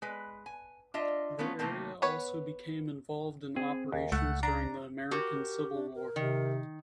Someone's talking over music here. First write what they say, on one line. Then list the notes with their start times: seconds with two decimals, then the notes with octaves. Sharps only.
The area also became involved in operations during the American Civil War.
0.02 G#3 B4
0.46 G#5
0.94 D4 F4 D#5 E5
1.39 A3 B3 C#4 F4 F#4
1.59 C3 D#3 A3 A#3 C4
2.02 B3 B4 C#5
3.56 C4 G#4
3.92 D#2
4.12 C#2 A3 F#5
4.43 D4 A#5
5.11 F#4 G4 A#4
5.73 D4
5.95 A#4
6.16 C3 D#3